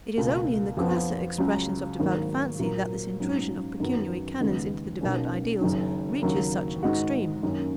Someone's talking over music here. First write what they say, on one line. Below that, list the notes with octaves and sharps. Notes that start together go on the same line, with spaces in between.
It is only in the crasser expressions of devout fancy that this intrusion of pecuniary canons into the devout ideals reaches such an extreme.
C#2 B2 A#3 F4
F2 F3 B3
C#2 C#3 F#3
G#1 G#2 F#3 A#3
A#2 F#3 A#3
G#2 F#3 C#4
F#2 D#3 F#3 B3
D#2 C#3 G#3 B3
B1 B2 A#3 C#4
F#1 F#2 D#3
D#2 C#3 F#3 A#3
G#2 D#3 G#3 D#4 F#4
F#2 D#3 A#3 C#4